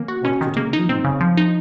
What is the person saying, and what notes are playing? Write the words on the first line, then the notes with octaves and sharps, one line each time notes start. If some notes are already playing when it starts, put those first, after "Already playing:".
What could it mean?
Already playing: D#3 A#3 C#4
F#4
C#4
D#3
A#3
D#4
C4
C#3
F3
D#4